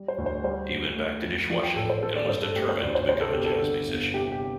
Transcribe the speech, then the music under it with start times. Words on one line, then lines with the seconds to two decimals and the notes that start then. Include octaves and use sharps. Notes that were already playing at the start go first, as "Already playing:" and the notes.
He went back to dishwashing, and was determined to become a jazz musician.
Already playing: G3
0.08 C5
0.18 D2
0.26 C5
0.44 G3 C5
0.71 D2
0.96 A3
1.23 F2
1.50 F3 D5
1.63 G5
1.76 A1 A4
1.90 C5
2.03 C4 A4
2.16 D5
2.29 G2 C5
2.42 A4
2.56 A3 G4
2.69 C5
2.82 D2 D5
2.95 C5
3.08 C3 C5
3.21 A4
3.33 G1 G4
3.45 A4
3.61 D3
3.88 G1
4.14 C3 G4
4.32 G4